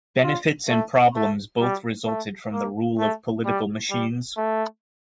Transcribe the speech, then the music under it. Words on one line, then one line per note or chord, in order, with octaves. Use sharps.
Benefits and problems both resulted from the rule of political machines.
F4
A3
A3
G3
A3
A#3
A3
G3
G3
A3